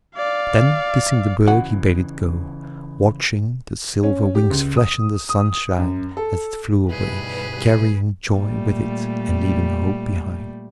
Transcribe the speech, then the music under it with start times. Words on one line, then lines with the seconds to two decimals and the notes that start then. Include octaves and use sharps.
Then kissing the bird he bade it go, watching the silver wings flash in the sunshine as it flew away, carrying joy with it and leaving hope behind.
0.16 D5 F5
1.48 C#3 E3 F#4
4.03 C#4
4.35 G4
4.50 C#2
4.77 D#6
5.29 D#6
5.78 F#2
6.17 A4
6.90 G2 B2 G3 D#4 E4 G#4 B4
8.31 A#2 G3 A3